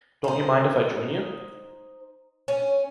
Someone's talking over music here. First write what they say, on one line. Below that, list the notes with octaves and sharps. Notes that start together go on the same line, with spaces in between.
Don't you mind if I join you?
D#4 C5
C#4